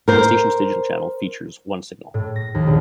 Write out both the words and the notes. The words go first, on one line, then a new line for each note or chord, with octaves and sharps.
The station's digital channel features one signal.
A#4 C5
A2
A#6
D#2
A#1